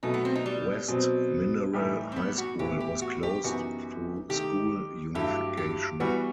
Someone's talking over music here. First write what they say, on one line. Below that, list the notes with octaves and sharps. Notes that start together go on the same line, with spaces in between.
West Mineral High School was closed through school unification.
B2 F#3 A3 D#4
B3
C4
D#4
G3
B2 F#3 C4
A2 E3 G3 D#4 G4
C4
B3
F#4
A2 E3 B3 E4 G4
G4
F#4
G4
F#2 E3 B3 D#4 F#4 G4
D#3 A3 D#4 G4
G2 F#3 A3 E4 G4
G4
E3 G3 B3 F#4